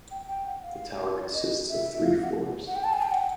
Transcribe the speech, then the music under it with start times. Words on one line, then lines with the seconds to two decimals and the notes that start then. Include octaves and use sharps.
The tower consists of three floors.
0.11 G5
0.28 G5
0.47 F#5
0.63 F5
1.34 D#5
1.69 E5
1.94 E5
2.04 F5
2.23 F#5
2.67 F#5
2.75 G5
2.84 A5
2.93 G#5
3.02 G5
3.11 F#5